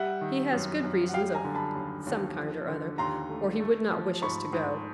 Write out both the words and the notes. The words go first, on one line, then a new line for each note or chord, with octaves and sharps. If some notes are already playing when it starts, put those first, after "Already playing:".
He has good reasons of some kind or other, or he would not wish us to go.
Already playing: G3 E5 F#5
D#3
F#2
F#2
F#5
G3 F5 G5
G#5 A#5
D3
A5 B5
D#2
D#2
F3
D3
D#2 A#5 C6
A3
A3
F3
G#2 B5 C#6
G#2